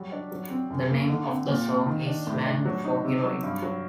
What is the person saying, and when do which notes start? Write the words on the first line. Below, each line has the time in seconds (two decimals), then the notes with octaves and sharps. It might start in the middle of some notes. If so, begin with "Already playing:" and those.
The name of the song is slang for heroin.
Already playing: F#3 G3
0.12 D4
0.32 F#3
0.50 C4
0.70 F#2
0.90 A#3
1.10 D3
1.28 C4
1.48 A#2
1.68 C4
1.87 D#3
2.07 D4
2.27 A2
2.46 D4
2.65 F#3
2.85 D#4
3.04 C3
3.24 F#3
3.43 G2
3.62 F#3